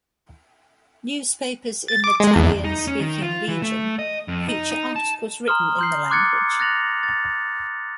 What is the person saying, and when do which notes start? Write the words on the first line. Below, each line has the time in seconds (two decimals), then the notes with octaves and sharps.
Newspapers in the Talian-speaking region feature articles written in the language.
1.88 A6
2.04 D6
2.20 G#3
2.36 E2
2.64 D#4
2.87 C#4
3.01 D#3
3.22 F4
3.48 E3
3.62 A3
3.99 D#5
4.28 F2
4.48 D#4
4.72 D#4
4.96 A5
5.47 A#5 C6 D#6 F6 G7
5.79 C6 G6 C7
6.10 C6 D6 F#6 G#6 A6 C#7
6.60 F#6 A6 A#6 F7 F#7
7.03 A6